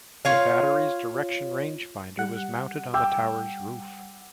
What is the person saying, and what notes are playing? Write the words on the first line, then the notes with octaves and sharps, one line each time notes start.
The battery's Direction Range Finder was mounted on the tower's roof.
F4 C#5 F5
G3 F#5
G5 D6 E6